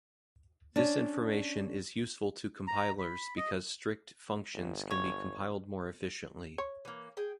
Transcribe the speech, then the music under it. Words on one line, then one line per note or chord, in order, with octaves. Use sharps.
This information is useful to compilers because strict functions can be compiled more efficiently.
C#4 D4
A#5
B5
D#5
G1
C#5
C#5
E3 A#3
G#4 G5